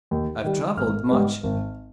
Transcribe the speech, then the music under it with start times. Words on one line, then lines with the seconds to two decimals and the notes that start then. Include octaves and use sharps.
I've travelled much.
0.11 D#2
0.44 D#3 G3
0.76 G#1 F6
1.10 G#2 G3 B3
1.43 G#1